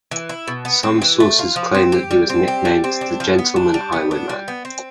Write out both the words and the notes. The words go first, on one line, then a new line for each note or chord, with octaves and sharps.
Some sources claim that he was nicknamed "The Gentleman Highwayman".
E3
E4
B2
B3
C4
E3
A3
F4
F3
C4
G4
G3
C4
G4
G3
C4
D4
F3
B3
D4
G3
B3
D4
G3
B3
C4